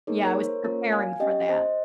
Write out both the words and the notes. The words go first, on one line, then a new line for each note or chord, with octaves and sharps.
yeah, I was preparing for that.
A#3 D#4 G#4 A#4 C#5
A#4 C#5
C5
A#3 C#4 F4 A#4 C#5
F5 G#5
C#4 G4 D#5 G5
C5 D#5